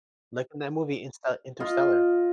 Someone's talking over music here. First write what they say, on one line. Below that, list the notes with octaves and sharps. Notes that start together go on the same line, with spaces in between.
Like in that movie, Insta Interstellar.
F4 D#5